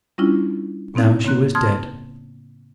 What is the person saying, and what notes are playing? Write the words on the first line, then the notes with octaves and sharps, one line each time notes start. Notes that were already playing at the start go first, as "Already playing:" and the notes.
Now she was dead.
G3 C#4 D4 E4 F4
A2 B3 C4 D#4 E4
C#3 A#3 C4 F#6
A5 C6 D#6 F6 G#6